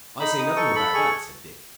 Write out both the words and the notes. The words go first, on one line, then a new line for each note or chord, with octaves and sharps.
"I say nothing about that," said Dick.
D#4 B5
D#4 D#6
A4 C#6
A4 B5
G#4 C#6